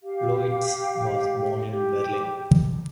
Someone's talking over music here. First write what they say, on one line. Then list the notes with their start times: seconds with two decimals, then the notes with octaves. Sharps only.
Ploetz was born in Berlin.
0.03 G4 F5
1.71 G4